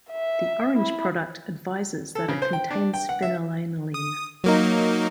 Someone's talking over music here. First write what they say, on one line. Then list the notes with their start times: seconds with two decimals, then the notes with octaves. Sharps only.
The orange product advises that it contains Phenylalanine.
0.12 E5
0.77 E4
2.15 A4
2.28 C#3
2.42 C5
2.53 G5
2.71 D4
2.94 G5
3.09 F#5
3.22 E5
3.94 D#6
4.44 F#3 A#3 D#4